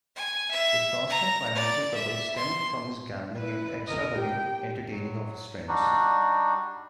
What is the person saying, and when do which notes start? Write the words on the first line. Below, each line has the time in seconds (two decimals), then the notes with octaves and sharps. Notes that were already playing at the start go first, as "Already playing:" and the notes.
His constant financial trouble stemmed from his gambling and extravagant entertaining of his friends.
0.16 G#5
0.51 E5
1.10 A#5
1.54 D5
1.95 E5
2.36 C6
3.37 E4 B4
3.87 A#4 D#5
4.16 G4 G5
4.92 F#3
5.68 G3 D4 D#4 F#4